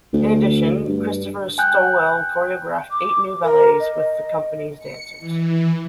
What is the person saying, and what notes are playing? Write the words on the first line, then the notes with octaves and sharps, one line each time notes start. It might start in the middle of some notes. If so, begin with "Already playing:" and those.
In addition, Christopher Stowell choreographed eight new ballets with the company's dancers.
D2
G2
G5 G#5 F#6 G6
D6
A#4
D#5
C#7
E3